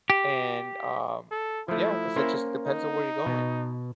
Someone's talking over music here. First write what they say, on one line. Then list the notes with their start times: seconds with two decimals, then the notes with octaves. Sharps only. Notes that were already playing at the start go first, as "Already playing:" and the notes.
and, um, yeah, 'cause it just depends on where you're going,
0.10 G4
1.31 A4
1.68 F3 A3 E4
2.16 A#3 C#4 C5
2.66 D#4
3.26 B2